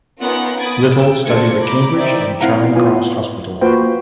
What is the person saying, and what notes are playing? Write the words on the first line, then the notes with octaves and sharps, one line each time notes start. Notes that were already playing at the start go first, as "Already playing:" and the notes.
Little studied at Cambridge and Charing Cross Hospital.
B3 C#4 D#4 F4 A#4 F#5
B5 D#6 G#6 A6 D7
G5 E6 D7
A3 D4 C5 G#6 C#7
A#5 B5 D6
D#4 A#4 C5 D5 E5 G5
C4 E4 F5 F#5 A#5
B3 F4 B4 G#5
A#3 F4 F#4 B4 C5 G5